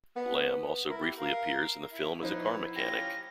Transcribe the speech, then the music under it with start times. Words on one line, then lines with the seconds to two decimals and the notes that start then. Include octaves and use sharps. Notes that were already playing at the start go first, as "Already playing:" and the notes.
Lam also briefly appears in the film as a car mechanic.
0.16 B3
0.87 E4 A#4
1.00 G4
1.18 A#4 F5
1.93 E4
2.21 F3 B3 D#4 E4 C5
2.76 C#4 F4 G4 A#6